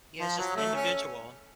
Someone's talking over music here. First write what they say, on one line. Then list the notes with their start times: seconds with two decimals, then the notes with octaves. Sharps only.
Yeah, it's just the individual.
0.20 F3
0.38 F#3
0.56 A3
0.75 C#4